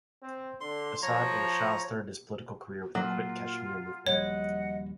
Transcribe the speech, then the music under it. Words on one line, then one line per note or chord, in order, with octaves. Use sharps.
Assad Ullah Shah started his political carrer with the Quit Kashmir Movement.
C4
D3 C6
F3 C#5 A#5
A#2 F#3 F4
D#1 A#1 G3 C#5 D#5 F#5